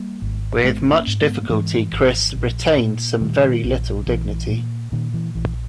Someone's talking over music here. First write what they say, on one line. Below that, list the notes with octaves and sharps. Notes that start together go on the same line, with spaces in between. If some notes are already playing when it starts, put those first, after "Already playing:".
With much difficulty Chris, retained some very little dignity.
Already playing: G3 A#3
G#1
G#1 G#3 B3
A#3 C#4
G#2
G#3 B3
A#3
G#2 E3 G#3
G#1
A#1
A#2
A#2 D#3 G3
A#1
A#1 E3
A#2
A#2 D#3
E3
A#1 E3